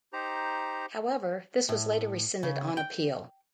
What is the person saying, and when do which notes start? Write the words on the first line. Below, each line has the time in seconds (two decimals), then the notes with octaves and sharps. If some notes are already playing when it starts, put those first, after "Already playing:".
However, this was later rescinded on appeal.
0.13 D#4 G4 C5 A#5
1.69 A2
2.43 C#3
2.77 G5